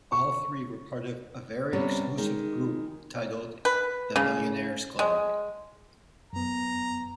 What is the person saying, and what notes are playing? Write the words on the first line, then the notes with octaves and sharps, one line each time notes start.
All three were part of a very exclusive group titled "the Millionaires' Club".
C#6
C3 G3 B3 C#4
D#3 G#3
B4
C#3
G#3
F#2 B3 A#5